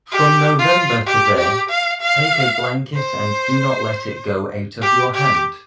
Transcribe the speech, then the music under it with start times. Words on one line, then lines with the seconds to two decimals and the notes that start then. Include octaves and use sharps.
From November to there, take a blanket and do not let it go out of your hand.
0.12 G4
0.59 F4
1.06 G4
1.38 G4
1.69 F5
2.00 F5
2.94 C5
4.82 G4
5.14 G4